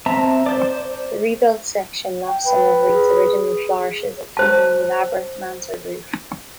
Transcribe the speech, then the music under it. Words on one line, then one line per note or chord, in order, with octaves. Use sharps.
The rebuilt section lost some of Reed's original flourishes including the elaborate mansard roof.
C4 E5 A5 A#5
C5 D5
G5
B4
G#4
C5 A5